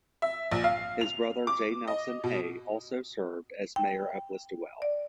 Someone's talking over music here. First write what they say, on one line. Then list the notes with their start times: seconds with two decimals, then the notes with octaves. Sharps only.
His brother J. Nelson Hay also served as mayor of Listowel.
0.22 E5
0.52 A#1
0.64 F5
1.01 F7
1.47 D6
1.88 D#5
2.24 B2
3.76 G5
4.82 D5